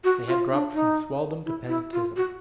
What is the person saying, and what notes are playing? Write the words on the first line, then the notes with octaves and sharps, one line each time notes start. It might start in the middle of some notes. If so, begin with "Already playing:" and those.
They had dropped from swelldom to peasantism.
F#4
F4
D4
D#4
E4
E4
F4
F#4